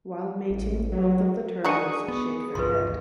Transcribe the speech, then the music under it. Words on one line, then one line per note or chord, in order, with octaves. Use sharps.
While mating both of the turtles shake their head.
A1
F#3
G#3 D4 F#4 G#4 C#6 D#6
B3
G1 C2 F3 B4 C6
D#2